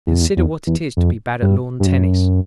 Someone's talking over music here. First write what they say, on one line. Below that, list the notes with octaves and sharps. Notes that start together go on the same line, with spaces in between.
Consider what it is to be bad at lawn tennis.
E2
F2
E2
E2
E2
F2
G2
G2
F#2